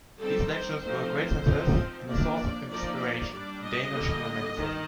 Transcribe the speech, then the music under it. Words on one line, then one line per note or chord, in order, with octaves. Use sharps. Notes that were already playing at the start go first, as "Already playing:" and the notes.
These lectures were a great success and a source of inspiration in Danish romanticism.
G3 C4 D#4 A4
C5
F3 A3 C4 D#4 C5
F3 C4 D#4
F3 A#3 D4 D5
F3 A#3 D#4 D5
G3 D4 D5
D#5
D3 G3 A#3
D#3